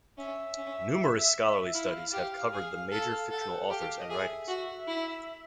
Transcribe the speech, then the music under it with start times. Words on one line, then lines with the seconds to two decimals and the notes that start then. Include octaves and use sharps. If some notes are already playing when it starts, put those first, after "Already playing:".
Numerous scholarly studies have covered the major fictional authors and writings.
0.17 C#4 E5
0.57 C#4
1.74 E4 F5
2.13 G4
2.53 G#4
2.91 A4
3.30 A4 F#5
3.40 G5
3.48 F#5
3.70 G4 F5
3.98 D#5
4.09 G#4 E5
4.48 F#4
4.87 E4